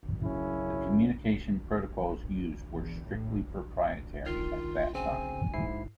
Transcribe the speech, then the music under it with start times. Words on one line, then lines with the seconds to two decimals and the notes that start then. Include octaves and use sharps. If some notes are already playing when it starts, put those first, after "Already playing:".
The communication protocols used were strictly proprietary at that time.
0.21 F#2 C#3 F#3 C#4 E4
2.70 E2
3.02 A2
4.26 D#3 F4 F6 C7
4.94 C#3 C4 G#5
5.54 G#2 E4 C7